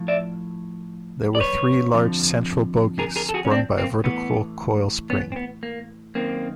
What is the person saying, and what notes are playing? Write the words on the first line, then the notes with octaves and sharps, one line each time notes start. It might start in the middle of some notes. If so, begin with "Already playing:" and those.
There were three large central bogies, sprung by a vertical coil spring.
Already playing: A2 F3
D5 E5
D5
B4 C#5
F2 D3 F3
G#4 A#4
G#4 A#4
A4
F#4 G#4
C#4
C4 D4
A#3 C4
A2 E3 B3
B3 C#4
C4
B3
A#3
F#2 D#3 A#3 C4